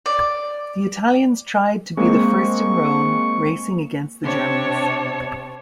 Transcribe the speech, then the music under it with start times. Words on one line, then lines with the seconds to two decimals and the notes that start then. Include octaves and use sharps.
The Italians tried to be the first in Rome, racing against the Germans.
0.06 D5
1.97 G#3 A#3 C4 C#6
4.22 C3 D4 C#5 A5